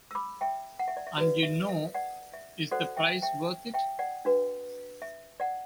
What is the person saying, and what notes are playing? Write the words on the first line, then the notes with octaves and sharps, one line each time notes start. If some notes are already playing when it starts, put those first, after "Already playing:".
And, you know, is the price worth it?
E6
B5 D6
E5 G5
F#5
E5
D5
E5
F#4 B4 D5
E5
E5
D5 F#5
E5
F#4 A4 C5 D5 F#5
E5 G5
E5 G5
E5 G5
D5 F#5
D4 F#4 B4
E5
D5 F#5